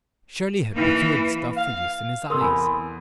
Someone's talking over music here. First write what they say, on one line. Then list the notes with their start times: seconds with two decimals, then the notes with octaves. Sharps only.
Shirley had procured the stuff for use in his eyes.
0.74 E3 A#3
1.56 F5
2.30 C3 A4 A#4 C6 D#6 E6
2.41 E2 G#5 B5